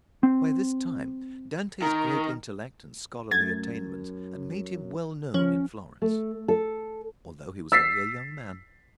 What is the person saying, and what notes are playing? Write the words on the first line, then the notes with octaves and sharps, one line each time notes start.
By this time Dante's great intellect and scholarly attainments had made him well known in Florence, although he was only a young man.
C4
D#3 A#4
F#2 A3 G#6 A6
F3 C#4
A3
A4
E6 A6 B6 C7